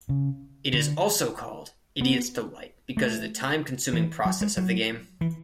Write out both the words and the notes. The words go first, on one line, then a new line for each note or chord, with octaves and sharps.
It is also called Idiot's Delight because of the time-consuming process of the game.
C#3
D3
B3
A3
E3
F#3
G#3
F#3
E3